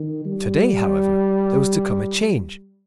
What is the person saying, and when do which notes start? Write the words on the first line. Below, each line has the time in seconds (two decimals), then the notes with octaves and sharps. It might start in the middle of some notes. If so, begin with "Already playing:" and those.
To-day, however, there was to come a change.
Already playing: D#3
0.25 G3